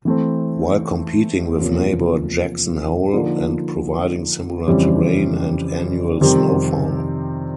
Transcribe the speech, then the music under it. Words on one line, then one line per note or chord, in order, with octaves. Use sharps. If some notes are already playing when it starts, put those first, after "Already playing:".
While competing with neighbor Jackson Hole and providing similar terrain and annual snowfall.
E3 A3 C4
E2 C3 F3 A#3 C#4
D3 F3 A#3 D#4
F2 C#3 E3 G3 C4
F2 C3 D#3 G3 C4